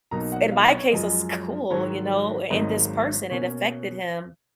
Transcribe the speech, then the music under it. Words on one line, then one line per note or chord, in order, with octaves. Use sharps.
f in my case, a school, you know, and this person, it affected him,
B1 B2 A#3 D#4 A#5
F#5
F5
D#5
C#5
F#2 F3 G#3 D#5
G#2 D#3 F#3 C#5
G#1 G#2 F#3 A#3 D#4 D#5
B2 A#3 C#4 C#5